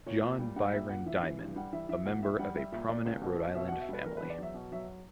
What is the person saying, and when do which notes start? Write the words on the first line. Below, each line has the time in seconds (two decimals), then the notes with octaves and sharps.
John Byron Diman, a member of a prominent Rhode Island family.
0.06 A#2 C#5
0.23 A#2
0.39 G3
0.56 G3 F#5
0.73 A#2 E5
0.89 A#2 F#5
1.06 E3 E5
1.23 E3
1.39 G2
1.56 G3 F#5
1.73 E3 E5
1.89 E3 E5
2.05 A#2 F#5
2.22 G3 E5
2.39 G3 F#5
2.55 G3 E5
2.72 A#2 E5
2.89 A#2 D5
3.05 C#2
3.22 B2
3.38 B2
3.55 B2 E5
3.67 F#5
3.72 B2
3.80 E5
3.89 G3 B4
4.05 E2 A#4
4.17 B4
4.22 E2
4.30 D5
4.38 F#3 E5
4.54 B2
4.72 F#3 E5